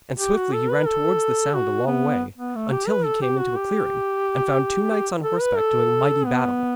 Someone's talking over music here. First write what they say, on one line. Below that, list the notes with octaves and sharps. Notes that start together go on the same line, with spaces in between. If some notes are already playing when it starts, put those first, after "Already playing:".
And swiftly he ran towards the sound a long way, until he came into a clearing, and found two knights on horseback doing mighty battle.
G4
F#4
A4
B4
A4
F#4
B3
B3
A3
G4
B4
A4
G4
F#4
G4
G4
A4
B4
A4
B3